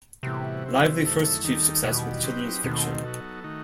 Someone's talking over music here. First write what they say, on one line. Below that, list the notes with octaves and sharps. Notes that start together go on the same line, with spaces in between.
Lively first achieved success with children's fiction.
A2 C3 E3 G3 B3 F#4
F#3 C4 E4
F#2 D#3 A3 E4 A4
D#2 D#3 G3 D#4 A4
E2 B2 D#3 G3 B3
F#3 C4 D#4 G4 B4
D#2 B2 D#3 A3 C4
F#3 B3 D#4 F#4 A4
D#3 A3 D#4 F#4